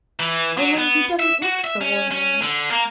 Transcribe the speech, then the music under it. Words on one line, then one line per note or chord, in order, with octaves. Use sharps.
Only he doesn't look so ordinary.
E3
F#3
B3
E5
F#4
E5
C#4
C#4
D3
A#3